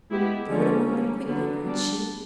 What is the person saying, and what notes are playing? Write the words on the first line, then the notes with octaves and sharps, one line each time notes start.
"Throw it among them quickly!" cried she.
G#3 B3 E4 G4
D3 F3 G#3 C#4
G3 A#3 C#4
D3 F#3 B3
G3 B3 D4